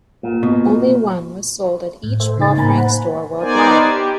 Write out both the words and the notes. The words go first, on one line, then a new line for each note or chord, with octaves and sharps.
Only one was sold at each Paul Frank store worldwide.
A#2
B2
A2
A4 C5 E5
C#3 D#4 A6
A2 A#3 C5 G#5 A#5 B5
C5 F#5 B5
B3 D#4 A#4 C5 D5 G#5
G4